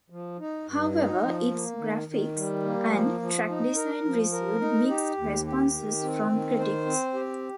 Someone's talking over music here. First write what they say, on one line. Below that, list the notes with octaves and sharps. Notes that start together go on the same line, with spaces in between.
However, its graphics, and track design received mixed responses from critics.
F3
D#4
G2
D#4
F3
A#3
D#3
D#3
G3
A#3
F3
F3
D#4
A#4
F3
A#4
D#4
G4
D#2
G4
D#3
C4
D#3
C5
C4
G4